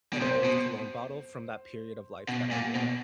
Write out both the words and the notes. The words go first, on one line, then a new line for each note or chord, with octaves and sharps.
an old cologne bottle from that period of life that I wore it.
B2
C3 C5
B2
B2
A#2
B2